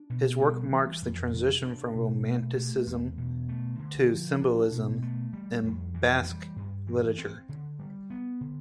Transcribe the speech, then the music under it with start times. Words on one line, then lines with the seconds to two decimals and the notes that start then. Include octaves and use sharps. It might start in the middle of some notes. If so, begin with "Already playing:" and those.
His work marks the transition from Romanticism to Symbolism in Basque literature.
Already playing: D4
0.10 B2
0.41 G3
0.71 E3
1.02 F2
1.33 C3
1.64 D4
1.95 B2
2.26 A3
2.56 A3
2.87 E2
3.18 B2
3.49 A3
3.79 D3
4.10 F3
4.41 D4
4.72 B2
5.02 A3
5.33 G3
5.64 F2
5.94 E3
6.26 G3
6.56 G2
6.87 E3
7.18 C4
7.49 D3
7.79 G3
8.10 B3
8.41 D3